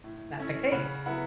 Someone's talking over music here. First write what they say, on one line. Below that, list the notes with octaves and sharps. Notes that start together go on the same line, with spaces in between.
it's not the case.
A2
A3 C#4 E4
C#3 F#5 B5
F#3 B3 E4 F#5 B5